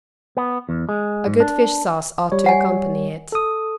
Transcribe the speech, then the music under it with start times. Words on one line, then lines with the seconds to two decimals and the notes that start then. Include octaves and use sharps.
A good fish-sauce ought to accompany it.
0.37 B3
0.69 E2
0.89 G#3
1.26 G#2
1.40 D4
2.32 G3 C#5
2.46 F#5 G#5
3.32 A4 D#6